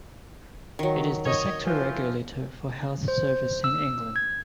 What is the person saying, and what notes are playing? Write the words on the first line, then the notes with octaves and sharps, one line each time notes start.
It is the sector regulator for health services in England.
D#3 F#3
C#5 D#5
E3 F3
C5
E6
G#6